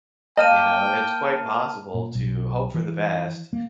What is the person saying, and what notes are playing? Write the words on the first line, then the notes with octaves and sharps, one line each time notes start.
you know? It's quite possible to hope for the best
A#3 D#5 G5 A5 F6 D#7
A#2
B1
E3
A#3